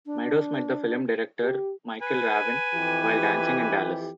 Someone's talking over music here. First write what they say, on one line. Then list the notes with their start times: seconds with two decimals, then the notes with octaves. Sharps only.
Meadows met the film director Michael Raven while dancing in Dallas.
0.06 D4
1.42 G4
2.02 B4 G#5
2.74 F2 E3 G4